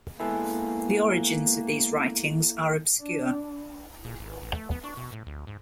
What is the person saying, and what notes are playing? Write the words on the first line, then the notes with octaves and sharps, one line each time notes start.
The origins of these writings are obscure.
G#3 A#3 B3 E4 G#4 A4
D4
A#2
G#1
A1
A3
B3
D4
B2
A2
D2
G#2